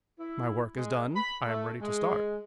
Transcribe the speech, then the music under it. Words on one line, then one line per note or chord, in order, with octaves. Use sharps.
My work is done: I am ready to start.
E4
G#3
B5
A3
G#3